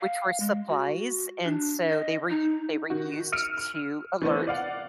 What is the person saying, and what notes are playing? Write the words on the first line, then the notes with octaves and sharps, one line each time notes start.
which were supplies, and so, they were u they were used to alert
F5
G#3
F#4
D4
D#5
D#4
D#3 F#4
E6 F6 C#7 D7
F6
E3 A3 B3 C4
D5 F5 F#5